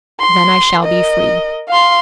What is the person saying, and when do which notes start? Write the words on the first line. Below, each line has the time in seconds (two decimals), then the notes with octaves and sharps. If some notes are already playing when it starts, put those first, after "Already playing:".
'Then I shall be free.'
0.20 C6
0.80 A#4 D#5
1.69 F5 C6